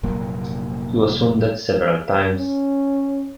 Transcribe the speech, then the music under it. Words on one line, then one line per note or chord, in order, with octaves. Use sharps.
He was wounded several times.
F1 A#2 F#3 A#3
C#4